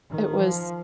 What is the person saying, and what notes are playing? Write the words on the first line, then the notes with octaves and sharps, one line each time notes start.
it was
D#3
F3